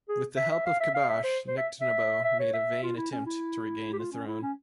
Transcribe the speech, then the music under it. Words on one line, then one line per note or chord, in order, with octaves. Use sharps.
With the help of Khabash, Nectanebo made a vain attempt to regain the throne.
G#4
E5
E5
F5
E5
F5
E5
C5
C5
E5
E5
E5
C#5
E5
F4
E4
C#4
E4
G4
F4
C#4
E4
C#4